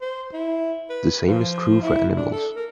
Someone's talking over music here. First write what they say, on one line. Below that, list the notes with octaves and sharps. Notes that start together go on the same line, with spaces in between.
The same is true for animals.
C5
E4
B4
F3
E4
D4
A4
A#4